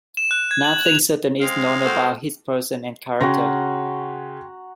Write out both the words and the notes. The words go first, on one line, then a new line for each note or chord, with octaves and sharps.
Nothing certain is known about his person and character.
E7
F#6
G#6
F#7
F7
G#3 C4 F5
F#4 A4 C5 G5
C#3 C#4 F#4 F#5 G5 A#5 C6 A#6